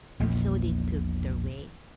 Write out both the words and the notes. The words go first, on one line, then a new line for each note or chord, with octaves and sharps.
And so they took their way.
A#1 E2 A#2